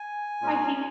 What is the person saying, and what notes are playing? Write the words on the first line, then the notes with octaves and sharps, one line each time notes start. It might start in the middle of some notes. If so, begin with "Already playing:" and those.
I think
Already playing: G#5
A#2 G#3 C#4